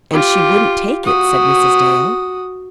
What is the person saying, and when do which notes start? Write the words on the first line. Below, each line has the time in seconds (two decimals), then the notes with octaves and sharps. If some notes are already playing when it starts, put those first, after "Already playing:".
"And she wouldn't take it," said Mrs. Dale.
0.13 F4 G4
1.04 F#4 D#6